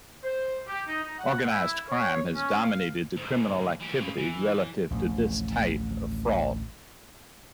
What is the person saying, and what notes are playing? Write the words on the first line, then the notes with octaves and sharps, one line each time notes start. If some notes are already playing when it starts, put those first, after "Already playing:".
Organized crime has dominated the criminal activity relative to this type of fraud.
C5
G4
D#4
D#4
F#5
E4
C#5
C#4
F5
D2 G#2
E3 G4
C#3 B4
E3
A1 D2 F3